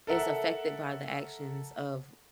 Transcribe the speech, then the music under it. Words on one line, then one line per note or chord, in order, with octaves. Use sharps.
is affected by the actions of
A4 A#4 E5 F#5